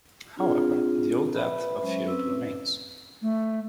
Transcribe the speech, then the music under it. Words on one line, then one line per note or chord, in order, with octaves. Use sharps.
However, the old Depth of Field remains.
C4 D4 F4 G#4
B4 E5 B5
F#3 G#3 C#4 C5 E5
C4 C#4 B4 E6
A3